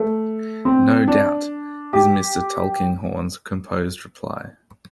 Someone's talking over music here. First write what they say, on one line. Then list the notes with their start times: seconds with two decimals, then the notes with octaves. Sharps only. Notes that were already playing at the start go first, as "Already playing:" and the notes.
"No doubt," is Mr. Tulkinghorn's composed reply.
Already playing: A3
0.65 C4
1.08 D4
1.93 G4